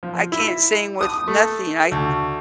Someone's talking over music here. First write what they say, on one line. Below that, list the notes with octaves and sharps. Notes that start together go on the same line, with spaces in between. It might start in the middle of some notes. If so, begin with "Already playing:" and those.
I can't sing with nothing, I
F3
E4
D#6
A3
D2